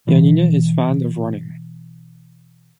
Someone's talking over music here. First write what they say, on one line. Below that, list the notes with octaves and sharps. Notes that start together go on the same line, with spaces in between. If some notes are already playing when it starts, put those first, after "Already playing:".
Yanina is fond of running.
B2 E3